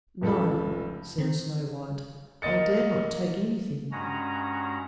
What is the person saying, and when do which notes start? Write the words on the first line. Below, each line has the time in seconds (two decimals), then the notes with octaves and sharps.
"No," said Snow-white, "I dare not take anything."
0.21 F1 C#2 A4 B5
1.18 D#3 C4
2.42 A#3 D#5 A6 C#7
3.92 G2 G#3 C#4 F#4 A#5